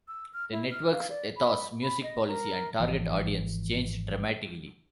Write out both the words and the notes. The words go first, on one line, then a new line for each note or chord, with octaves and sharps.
The network's ethos, music policy and target audience changed dramatically.
E6
F6
E4
F6
F5
D5
B5
B5
D#5
A#4
G#1 E3 F3